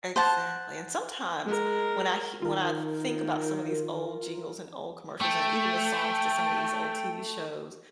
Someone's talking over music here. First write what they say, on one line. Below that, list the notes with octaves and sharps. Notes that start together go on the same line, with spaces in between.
Exactly, and sometimes when I hea I when I th think about some of these old jingles and old commercials and even the songs to some of these old TV shows,
C5 F#5 A5
G#3 A#4
D#3 F4 A#4
A3 G5